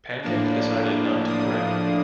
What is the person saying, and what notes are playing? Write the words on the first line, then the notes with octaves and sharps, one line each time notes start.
Pancake decided not to correct it.
A2 F3 A#3 D4
D#6